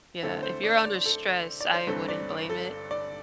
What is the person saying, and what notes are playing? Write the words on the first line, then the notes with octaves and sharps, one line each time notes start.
Yeah, if you're under stress, I wouldn't blame it
D2 D3 C4 E4 A4
C5
D5
D5
A4
D5
C5
G1 G2 D3 C4 A4
D5
A4
D5